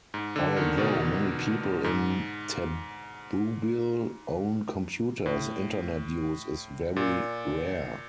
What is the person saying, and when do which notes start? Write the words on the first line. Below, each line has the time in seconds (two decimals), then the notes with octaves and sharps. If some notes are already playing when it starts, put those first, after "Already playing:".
Although many people in Tabubil own computers, Internet use is very rare.
0.14 G#2
0.36 D3
0.56 D#3
0.78 B2
1.84 G#2
5.26 A2
6.96 A#2